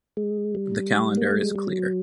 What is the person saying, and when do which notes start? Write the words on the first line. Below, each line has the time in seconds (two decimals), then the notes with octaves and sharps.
The calendar is clear.
0.17 G#3
0.55 G3
1.17 A#3
1.30 A3
1.42 G#3
1.56 G3
1.67 F#3